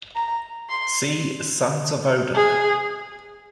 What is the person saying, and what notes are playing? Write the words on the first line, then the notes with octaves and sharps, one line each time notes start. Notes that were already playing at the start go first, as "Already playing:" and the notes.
See Sons of Odin.
A#5
C6
G#4